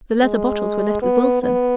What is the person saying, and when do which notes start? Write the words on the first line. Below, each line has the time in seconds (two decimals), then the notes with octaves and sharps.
The leather bottles were left with Wilson.
0.23 G#3
1.02 B3
1.43 B3